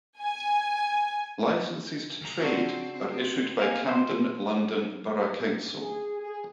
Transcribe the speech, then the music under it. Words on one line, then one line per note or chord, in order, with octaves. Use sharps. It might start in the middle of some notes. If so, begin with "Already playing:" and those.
Licences to trade are issued by Camden London Borough Council.
G#5
D2 A#5
C#3 C4 D4 F#4
A#3 F5 G#5
C5
G#4
G#4